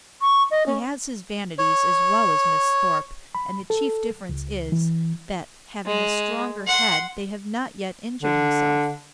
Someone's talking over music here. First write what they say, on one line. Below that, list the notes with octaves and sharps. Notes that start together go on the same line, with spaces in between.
He has his vanities as well as Miss Thorpe, and the chief difference is, that, having a stronger head, they have not yet injured himself.
C#6
D#5
C#4
C#5
B5
A4
C#2
E3
G#3
F#5 C6
D3